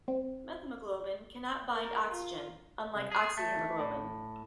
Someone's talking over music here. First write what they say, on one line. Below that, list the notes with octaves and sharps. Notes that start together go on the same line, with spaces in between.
Methemoglobin cannot bind oxygen, unlike oxyhemoglobin.
C4
A#4
F4
C2
G#4
A3
A2